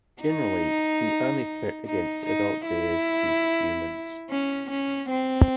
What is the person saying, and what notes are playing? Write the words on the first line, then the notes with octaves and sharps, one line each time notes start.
Generally, the only threat against adult bears is humans.
D#4
D#4
D#4
E4
C#4
C#4
C4